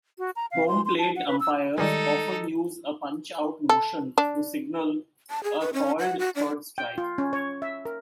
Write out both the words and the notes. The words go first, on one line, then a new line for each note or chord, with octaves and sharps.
Home plate umpires often use a "punch-out" motion to signal a called third strike.
F#4
A#5
F5
C6
C6
A5
F#5
B4
E6
D#3 G3 G#3 D#4 A4
A4
D4
A5
G#4
B4
C#4
F#5
F#4
D4
G5
F4
C#4
C#5
E5
A#4